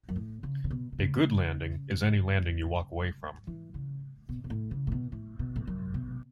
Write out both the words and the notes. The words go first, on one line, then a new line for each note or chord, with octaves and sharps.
A good landing is any landing you walk away from.
F#2
A2
C#3
C#3
B2
B2
C#3
E3
C#3
B2
B2
A2
C#3
A2
B2
A2
B2
A2
F#2
B2